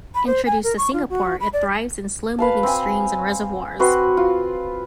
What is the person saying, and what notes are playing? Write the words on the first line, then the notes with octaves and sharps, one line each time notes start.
Introduced to Singapore, it thrives in slow-moving streams and reservoirs.
B5
C5
G#5
A#4
C#6
F4
F#4
B5
D5
B4 F5 A5
C4 G#5
C4 F#4 B4 C6
F4